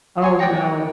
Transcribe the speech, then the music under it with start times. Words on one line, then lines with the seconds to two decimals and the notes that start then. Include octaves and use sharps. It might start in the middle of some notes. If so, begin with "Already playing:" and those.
Oh, no.
0.22 C#5 G#5 C6
0.39 D5 F#5 G5 A#5 C#6